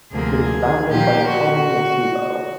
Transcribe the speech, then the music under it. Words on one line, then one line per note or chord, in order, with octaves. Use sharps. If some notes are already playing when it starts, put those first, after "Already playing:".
It is bounded by the commune of Cevo.
D2 C3 F3 A#3 G#4
A#2 F3 A#3 G4
F#4